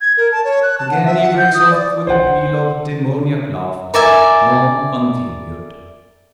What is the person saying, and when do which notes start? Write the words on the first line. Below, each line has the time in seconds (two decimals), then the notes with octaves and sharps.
Again he breaks off with a peal of demoniac laughter, long continued.
0.01 G#6
0.17 A#4
0.32 A5
0.45 C#5
0.63 F#6
0.78 A5
0.91 F#5
1.05 E5
1.21 F#5
1.38 G6
1.54 D#6
1.71 D5
2.07 C5 F#5
3.94 A#4 D5 E5 G#5